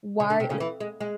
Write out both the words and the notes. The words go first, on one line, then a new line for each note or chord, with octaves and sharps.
why li
C#3
D3
C3
C#3
E3
G#3
G#3